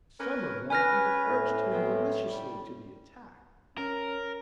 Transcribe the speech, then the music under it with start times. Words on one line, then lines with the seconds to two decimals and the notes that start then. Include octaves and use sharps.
Some of them even urged him maliciously to the attack.
0.19 C#4 A#4 B4
0.70 C#4 B4 G#5 F6 A#6
1.29 A2
1.71 B3 C4
2.22 G3
3.78 C#4 A#4